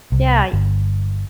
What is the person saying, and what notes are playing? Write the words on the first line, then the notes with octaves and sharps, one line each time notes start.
Yeah, y
C2
G1